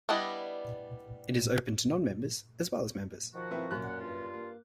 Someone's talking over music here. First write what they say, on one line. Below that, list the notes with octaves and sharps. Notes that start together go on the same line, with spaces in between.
It is open to non-members as well as members.
G3 B3 D4 E4 D#5
D#3 F3 F#4
C4 E4 B4
F#2 A#3 F#6
A#2 A#4 F#5
G2 F4
A#3